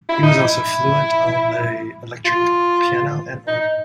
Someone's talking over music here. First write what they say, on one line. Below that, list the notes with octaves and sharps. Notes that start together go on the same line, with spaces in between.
He was also fluent on the electric piano and organ.
E4
D#4
E4
F4
D#4